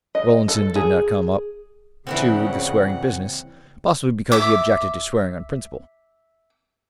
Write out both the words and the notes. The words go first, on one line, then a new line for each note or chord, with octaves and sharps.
Rollinson did not come up to the swearing business; possibly because he objected to swearing on principle.
D#5
A4
G#4
A#2 C#3 E3 G3 C4 F#5
E5 D6